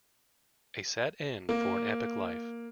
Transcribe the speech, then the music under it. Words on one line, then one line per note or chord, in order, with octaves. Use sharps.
A sad end for an epic life.
A#3